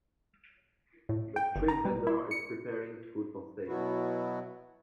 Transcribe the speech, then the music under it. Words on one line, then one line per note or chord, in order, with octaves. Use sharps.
A street vendor is preparing food for sale.
A2
G5
G1
A#5
G3
E4
C#7
B2 F#3 B3 E4 F#4